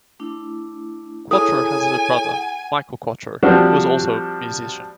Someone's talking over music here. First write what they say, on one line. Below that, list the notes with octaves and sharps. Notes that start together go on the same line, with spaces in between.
Quatro has a brother, Michael Quatro, who is also a musician.
A3 D4 E4
E4 G#4 A4 C#5 G#5 D#6
F#5
F3 G3 C4 D4 F#4